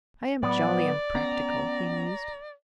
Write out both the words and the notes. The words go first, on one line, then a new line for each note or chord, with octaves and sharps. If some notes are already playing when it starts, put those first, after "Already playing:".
"I am jolly unpractical," he mused.
A2 F#3 B3 D5
B3 C#4 A#5